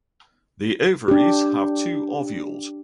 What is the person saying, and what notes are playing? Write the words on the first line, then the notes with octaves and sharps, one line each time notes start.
The ovaries have two ovules.
D4 G4